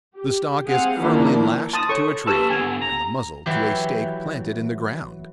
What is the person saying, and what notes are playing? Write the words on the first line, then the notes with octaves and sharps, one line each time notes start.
The stock is firmly lashed to a tree, and the muzzle to a stake planted in the ground.
G4
C4 G#4 F5 F#5
D#3 F3 A#3 D4 E4
E4 A5 C6 D#6
A4 C#5 A5 C#6
A#3 G4 B4 A5 C6 E6
D3 B3 G#5
A#5
E3 F#3 G4